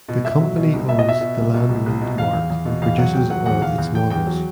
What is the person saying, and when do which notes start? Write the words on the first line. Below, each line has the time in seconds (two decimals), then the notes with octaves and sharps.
The company owns the Landwind marque and produces all its models.
0.08 B2
0.25 B2 E5
0.41 F#3
0.57 B2
0.73 C2
0.89 B2 E5
0.99 D#5
1.05 B2 E5
1.21 B2
1.37 C2
1.54 B2
1.69 C2
1.86 C2
2.01 B2
2.17 E2 F5
2.33 E2
2.50 E2
2.65 B2
2.82 E2 F5
2.98 F#3 F#5
3.14 E2 G5
3.30 F#3 F#5
3.46 E2 F#5
3.62 E2 F5
3.78 E2
3.94 E2 G5
4.10 E2 G5
4.27 F#3